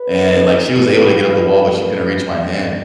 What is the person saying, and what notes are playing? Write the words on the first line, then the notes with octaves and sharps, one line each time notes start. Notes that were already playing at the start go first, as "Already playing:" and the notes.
and, like, she was able to get up the wall, but she couldn't reach my hand,
Already playing: B4
D3 G3 B3 D#4
C#3 E3 G#3 B4
C#3 E3 G3 C4 D#4 B4
A#2 F3 A3 D4
B2 G#3 C#4